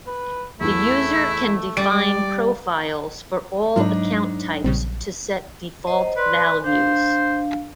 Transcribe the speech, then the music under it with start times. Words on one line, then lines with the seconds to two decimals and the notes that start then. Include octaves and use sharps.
The user can define profiles for all account types to set default values.
0.07 B4
0.61 E2 E3 A3 E4
1.77 G3 D5 D7
3.76 G#2 F#3 D4 D#4 F4
4.64 A#1 C#3 G3 C4
5.87 C5 D#5
6.17 B4 D5 C6
6.64 D4 C5 F5